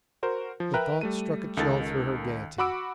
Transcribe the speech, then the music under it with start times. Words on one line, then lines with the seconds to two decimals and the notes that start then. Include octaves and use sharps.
The thought struck a chill through her gaiety.
0.23 F#4 A#4 C5
0.60 F3
0.74 A#4 B4 E5 G5 A#5 F#6
1.01 G3 A3 D#7
1.57 C#2 D#3 A4 A6
2.58 F#4 F#5 B5 D6 E6 D7